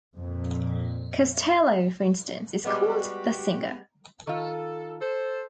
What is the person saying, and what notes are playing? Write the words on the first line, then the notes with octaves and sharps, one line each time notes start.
Costello, for instance, is called the singer.
F2 A#2
G3 G#3 B3 F#4 G4
D#3 F4 A4
A4 C5